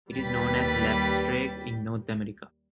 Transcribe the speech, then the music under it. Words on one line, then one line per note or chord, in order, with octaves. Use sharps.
It is known as lapstrake in North America.
D#2 G3 B4 G5 A6 B6